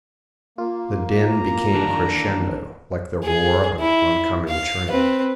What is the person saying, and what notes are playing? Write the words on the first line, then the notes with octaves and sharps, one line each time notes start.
The din became crescendo, like the roar of an oncoming train.
A#3 F4
A#5
D#3 E3 D4
G#4
E4
F5
C4 B4